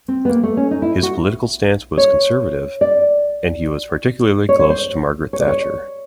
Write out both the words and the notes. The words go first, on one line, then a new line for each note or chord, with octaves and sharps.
His political stance was conservative, and he was particularly close to Margaret Thatcher.
C4
B3
A#3
A3
C#4
D#4
E4
F#4
C#5
D5
C#5
C#5
C5
C#5
D5
C#5